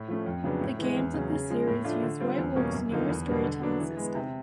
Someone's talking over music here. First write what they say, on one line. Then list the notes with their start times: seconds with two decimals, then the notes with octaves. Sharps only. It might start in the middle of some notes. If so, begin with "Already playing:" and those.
The games of this series use White Wolf's newer Storytelling System.
Already playing: A2
0.08 F3 A3 C#4
0.26 F2
0.44 C#3 F#3 B3 D4
0.61 A2
0.79 E3 G#3
0.97 E2
1.14 C#3 F#3
1.32 C#3
1.50 F3 G#3
1.67 A2
1.84 F3 A3 D4 F4
2.03 D3
2.20 G3 C4 F4
2.38 E2
2.56 B2 G3 A#3 C#4
2.73 F#2
2.91 D3 F3 A#3 D#4
3.08 E2
3.26 B2 G3 B3 D4
3.44 D3
3.61 F#3 B3 D4
3.79 E3
3.97 G#3 B3
4.15 C3